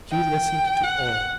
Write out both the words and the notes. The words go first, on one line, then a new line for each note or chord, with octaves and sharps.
She listened to all.
G5
F#5